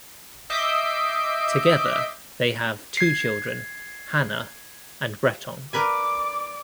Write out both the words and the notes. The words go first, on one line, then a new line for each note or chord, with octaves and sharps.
Together, they have two children, Hannah and Breton.
D#5 E5 D6 G6 B6 C7
G#6 C7
A#4 B4 D5 G#5 D6